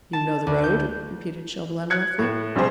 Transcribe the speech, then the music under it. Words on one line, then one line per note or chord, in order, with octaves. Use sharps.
"You know the road?" repeated Chauvelin, roughly.
A5
D2
G6
F#6 G#6 C#7
A2
A#1 G2 C3 G#4 C5